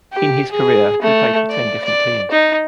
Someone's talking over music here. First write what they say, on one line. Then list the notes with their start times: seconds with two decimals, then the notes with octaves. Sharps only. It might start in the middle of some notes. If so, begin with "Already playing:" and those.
In his career, he played for ten different teams.
0.13 G4
0.51 G#4
1.02 A3
1.50 D5
1.84 D5
2.31 D#4